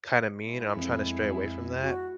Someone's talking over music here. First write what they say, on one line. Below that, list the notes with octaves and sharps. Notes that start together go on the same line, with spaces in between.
kinda mean, and I'm trying to stray away from that.
G#3 B3 E4
F2
F#4